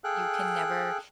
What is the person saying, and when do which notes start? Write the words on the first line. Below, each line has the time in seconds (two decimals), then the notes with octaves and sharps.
you can never
0.04 G#4 A4 F5 G5 F#6